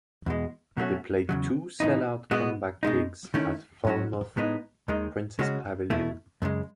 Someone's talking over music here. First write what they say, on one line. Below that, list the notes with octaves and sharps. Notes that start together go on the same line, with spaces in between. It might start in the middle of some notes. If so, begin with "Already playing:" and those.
They played two sell out comeback gigs at Falmouth Princess Pavilion.
E2 B2 G#3
B2 F#3 A3 C#4 F#4
E2 C#3 F#3
A2 E3 B3 D#4
B2 G#3 B3 F#4
B2 G#3 D#4
D#3 A3 C#4 E4
G#2 F#3 C#4 F#4
A2 G#3 B3 D#4
D#2 D#3 G#3 D#4
C#3 G#3 C#4 F#4
E2 B2 A3 E4
F#2 C#3 G#3